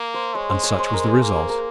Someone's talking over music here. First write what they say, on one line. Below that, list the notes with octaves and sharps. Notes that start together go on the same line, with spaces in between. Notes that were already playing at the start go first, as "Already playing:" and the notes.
And such was the result.
Already playing: A#3
C5
G#3 C#5
C5
C#5
C5
A#4
G#4
A#3
G#4
A#4